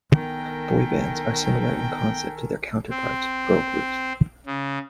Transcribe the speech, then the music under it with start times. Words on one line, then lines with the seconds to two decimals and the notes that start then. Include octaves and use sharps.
Boy bands are similar in concept to their counterparts, girl groups.
0.15 D#3 B3 A4 A#4 G5 G#5
2.90 C4
4.46 C#3